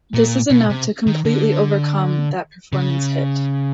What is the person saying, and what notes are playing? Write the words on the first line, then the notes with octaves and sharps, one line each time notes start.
This is enough to completely overcome that performance hit.
A#2
B2
C3
D#3
D3
C#3